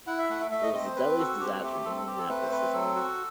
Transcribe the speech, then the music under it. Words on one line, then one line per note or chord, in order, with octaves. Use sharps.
It was the deadliest disaster in Indianapolis history.
E4 F#5
E5
A3 F#5
E5
A3 E5
D#5
C4 D#5
C5
C4 B4
F#4 A4
C4 G4
F#4
A3 G4
G4
C4 A4
A4
C4 G4
A4
A3 B4
C5
C4 B4
F#3 A4
F#4